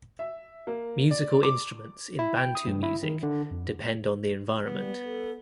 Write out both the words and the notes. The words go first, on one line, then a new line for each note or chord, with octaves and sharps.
Musical instruments in Bantu music depend on the environment.
E5
A#3
D5
D6
E4
G5
D#6
G2
E4
D#3
D3
F2
G3 B3
A4